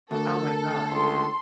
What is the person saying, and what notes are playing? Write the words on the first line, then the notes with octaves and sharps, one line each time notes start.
Oh my god.
D2 A4 A#4
C#2 C6